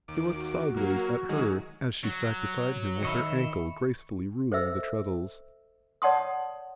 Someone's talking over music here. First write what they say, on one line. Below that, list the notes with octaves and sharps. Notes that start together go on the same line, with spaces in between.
He looked sideways at her as she sat beside him with her ankles gracefully ruling the treadles.
D#2 D6
F#4
F#3 A#3
D#3 F#3 G#3
F#3
D#3 D#5 E5 B5 C#6 C#7
A4 C5 D#5 E5 E6
C#5 D5 F#5 A5 C6 D#6